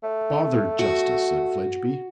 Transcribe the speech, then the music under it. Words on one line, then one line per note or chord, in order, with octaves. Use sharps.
'Bother justice!' said Fledgeby.
A3
F#4